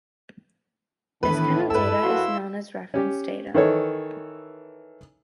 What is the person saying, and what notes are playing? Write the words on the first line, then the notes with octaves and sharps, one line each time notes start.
This kind of data is known as reference data.
A2 D#3 E3 B3 D4 B4
G2 E4 A4 B4 E6
F#2 F#4 F5 C6
C#4 G4
D#3 E3 A4 C#5